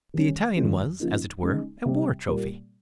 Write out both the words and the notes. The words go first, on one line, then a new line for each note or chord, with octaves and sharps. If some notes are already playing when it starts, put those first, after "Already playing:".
The Italian was, as it were, a war trophy.
D#3 G3 C#4
F2 D#3 G#3 C#4 F4
C#3 F3 A#3 D#4
C#3 G#3 D#4
C3 G3 C4
A#2 G3 A#3